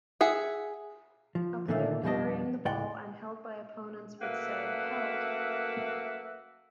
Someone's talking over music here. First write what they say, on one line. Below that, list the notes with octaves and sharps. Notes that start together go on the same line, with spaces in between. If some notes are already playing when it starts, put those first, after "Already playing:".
A player carrying the ball and held by opponents would say, Held!
G#4 E5 F#5
F3
A#2 D3 D#3 A3 A#3
F2 B2 G3 D4 D#5
C#2 A2 D5 F#5 G5
F#2 A3 A#3 B4 E5 F#5